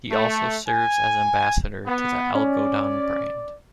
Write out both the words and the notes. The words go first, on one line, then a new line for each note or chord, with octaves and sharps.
He also serves as Ambassador to the "Algodon" brand.
A3
G#5
B3
C#4 D5